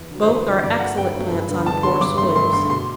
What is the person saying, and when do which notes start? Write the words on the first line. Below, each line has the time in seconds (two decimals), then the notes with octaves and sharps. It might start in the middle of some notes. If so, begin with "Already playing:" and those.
Both are excellent plants on poor soils.
Already playing: E2
0.11 D3 F#3
0.22 C5
0.28 E2 B4
0.45 D3 F#3
0.63 G2 D5
0.79 F#3 A3 F#5
0.97 G2 G5
1.14 F#3 A3
1.31 G2
1.49 D3 G3 B3
1.66 G2 A5
1.83 D3 G3 B3 C6
2.01 G2 D6
2.18 D3 A3 C6
2.36 G2 C6
2.53 D3 C6
2.55 A3
2.70 B2 C6